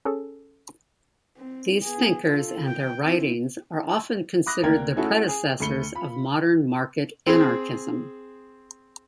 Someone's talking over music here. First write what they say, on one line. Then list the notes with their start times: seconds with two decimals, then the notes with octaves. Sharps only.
These thinkers and their writings are often considered the predecessors of modern market anarchism.
0.05 C#4 G#4 A4
1.38 C4
1.83 B3 G#4
2.27 F4 A4
2.67 G5
3.02 C4 E4
4.46 B5 D6 D#6 F#6 A#6
4.63 D2 A#3 A#4 D5 G5 G#6
4.96 A3 C#4 E4 F#4 G#4 A4
5.27 G#4 G#5
5.60 D2 A3 B5 C#7 G7
5.95 F4 B5
7.27 C4 G#4